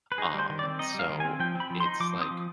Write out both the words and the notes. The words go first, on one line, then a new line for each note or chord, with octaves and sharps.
Um, so it's like
B4
D#4 G#4
G3 C5
D#3
D5
C4
D#4 D#5
G3 F5
D#3
G#5
C4
F3 G5
C4
B5
F3
C6
D#4
F3 D6
C4
D#6
F3